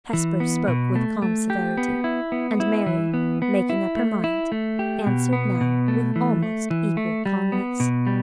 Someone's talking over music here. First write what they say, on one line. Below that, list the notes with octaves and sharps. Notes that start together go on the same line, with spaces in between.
Hesper spoke with calm severity, and Mary, making up her mind, answered now with almost equal calmness.
E3
B3
B2
A3
A3
G4
B3
E4
B3
E4
E3
B3
B3
E4
A3
E4
A3
G4
B2
B3
B2
A3
E3
A3
E3
A3
G3
B3
B2
G3